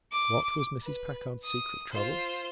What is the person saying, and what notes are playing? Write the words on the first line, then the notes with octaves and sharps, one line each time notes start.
What was Mrs. Packard's secret trouble?
D6
B4
D#6
F4 C5